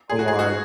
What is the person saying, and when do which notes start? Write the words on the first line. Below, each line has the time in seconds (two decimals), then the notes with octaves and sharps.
But like
0.10 G#4
0.19 F#4
0.28 G#4
0.39 F#4